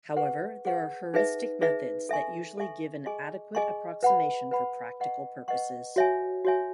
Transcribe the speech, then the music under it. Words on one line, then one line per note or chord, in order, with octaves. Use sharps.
However, there are heuristic methods that usually give an adequate approximation for practical purposes.
G#4 B4 F#5 C#6
G#4 B4 F#5 C#6
D#4 G#4 B4 E5
D#4 G#4 B4 E5
A4 E5 G#5 C#6
A4 E5 G#5 C#6
G#4 D#5 G#5 C#6
G#4 D#5 G#5 C#6
B4 F#5 B5
B4 F#5 B5
B4 D#5 F#5 C#6
B4 D#5 F#5 C#6
F#4 C#5 E5 G#5
F#4 C#5 E5 G#5